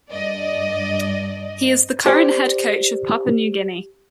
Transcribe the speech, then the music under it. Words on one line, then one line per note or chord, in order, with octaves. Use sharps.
He is the current head coach of Papua New Guinea.
G2 D5 D#5
G4 C5 D5